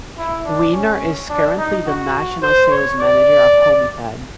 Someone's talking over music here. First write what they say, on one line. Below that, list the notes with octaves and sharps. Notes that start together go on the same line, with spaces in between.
Wiener is currently the National Sales Manager of Homyped.
E4
D4
C#4
D4
D#4
F#4
C5
C#5
D5